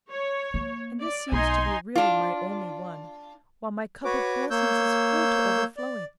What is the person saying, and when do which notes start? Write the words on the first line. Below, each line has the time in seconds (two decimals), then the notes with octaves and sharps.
And this seems to be really my only one, while my cup of blessings is full to overflowing.
0.11 C#5
0.54 A#3
1.00 D5
1.32 B1 D#4 G#5 C6
1.95 D4 F4
4.05 F#4 B4 C#5 D6
4.50 A#3 C#5 E6 G6
5.77 D5